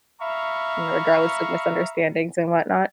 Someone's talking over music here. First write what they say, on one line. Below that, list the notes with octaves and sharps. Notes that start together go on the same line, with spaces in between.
regardless of misunderstandings and whatnot.
E5 F5 A#5 B5 C#6